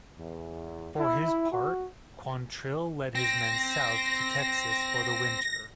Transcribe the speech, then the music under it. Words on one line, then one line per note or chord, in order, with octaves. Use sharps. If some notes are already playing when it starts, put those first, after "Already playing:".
For his part, Quantrill led his men south to Texas for the winter.
E2
E4
F#4
C4 A#6